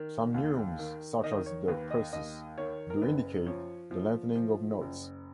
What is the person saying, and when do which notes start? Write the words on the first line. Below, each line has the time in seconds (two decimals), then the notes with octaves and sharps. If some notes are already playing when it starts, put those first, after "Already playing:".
Some neumes, such as the "pressus", do indicate the lengthening of notes.
Already playing: D#3
0.34 D#2
0.79 D#3
1.23 D#3 D#5
1.46 C#5
1.68 D#2 B4
1.91 D#5
2.13 D#2 D#5
2.58 D#3 C#5
2.90 A#4
3.02 F#1 B4
3.46 F3 C#5
3.91 F3
4.36 F3
4.81 F#1